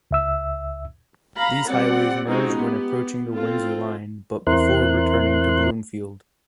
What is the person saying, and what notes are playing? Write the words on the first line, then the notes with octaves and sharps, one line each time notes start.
These highways merge when approaching the Windsor line but before returning to Bloomfield.
C#2 E5 E6
F5 A#5 B5
G3 C4 D5 F#5
G#3 C4 C#4 D#4 F4 F#4
B3 G4
C4 F4 A4
E2 C4 E4 A#4 C6 F#6